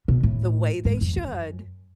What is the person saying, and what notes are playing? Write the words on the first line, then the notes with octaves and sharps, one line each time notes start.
"the way they should,
B2
A2
G#2
F2
F#2